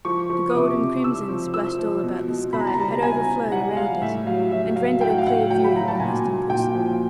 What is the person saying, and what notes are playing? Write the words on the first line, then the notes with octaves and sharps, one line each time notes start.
The gold and crimson, splashed all about the sky, had overflowed around it, and rendered a clear view almost impossible.
F3 C#6
F3
D#6
C3 D6
C3
C3 E6
F3
F3 E6
F3
B2
B2
B2 B5
A#5
A5
G3 A#5
B2 G#5
B2
G3 F#5
G3 F5
A2 E5
F#3 F5
F#3 E5
F#3 F5
A2 G5
F#5
F5
A2 F#5
F#3 G5
B5
F#3 A#5
A5
A#2 G#5
A#2
A#2 G5
F3